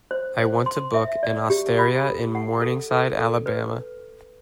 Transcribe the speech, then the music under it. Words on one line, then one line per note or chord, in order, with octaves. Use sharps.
I want to book an osteria in Morningside Alabama.
C5
C5
C6
E5
D5
G4
B5
A4
F#5
A4
A4
A4
B4